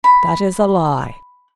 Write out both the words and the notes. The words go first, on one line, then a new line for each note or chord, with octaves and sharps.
That is a lie.
B5